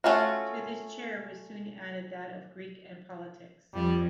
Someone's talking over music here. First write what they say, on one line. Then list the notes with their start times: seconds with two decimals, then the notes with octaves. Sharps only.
To this chair was soon added that of Greek and politics.
0.04 A3 C#4 F4 F#4
3.74 F2 G3